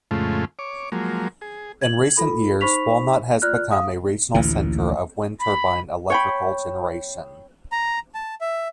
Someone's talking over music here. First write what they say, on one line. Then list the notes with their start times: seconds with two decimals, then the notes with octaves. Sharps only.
In recent years Walnut has become a regional center of wind turbine electrical generation.
0.11 F2 A2 C#3 G#3 A3 F4
0.59 C#5 D6
0.92 F3 F#3 G#3 A#3
1.41 G#4
1.82 G#6 F#7
2.17 F4 A4 B5
2.61 D#4 C5 B5 C#6 B6 F7
3.42 F4 D5 F6 F#6
3.71 F5 D#6
4.34 A1 D2 A#2 E3
5.40 B5
6.10 C#5 G5 B5
7.72 A#5
8.14 A5
8.41 E5